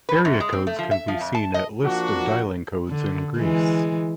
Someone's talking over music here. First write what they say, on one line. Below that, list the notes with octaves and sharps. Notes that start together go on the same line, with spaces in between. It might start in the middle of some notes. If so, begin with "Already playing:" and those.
Area codes can be seen at List of dialing codes in Greece.
B4
F#2
G#3
C4
A3
F3
E5
F3
F2
A5
D#5
F3 A#3 D4 F#4
D3
E3 G#3